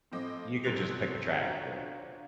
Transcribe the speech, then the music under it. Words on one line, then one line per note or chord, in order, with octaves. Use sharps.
you could just pick a track or,
A2 F3 C4 D#5 D6
A1 C3 C4 F#6 D#7 F7
D4 F4 F#4 C5 C#5 A#5